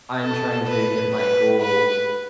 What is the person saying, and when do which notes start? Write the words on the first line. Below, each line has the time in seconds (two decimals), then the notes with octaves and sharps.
I'm trying to hit my goals,
0.21 A4
0.68 B4
1.14 B4
1.61 B4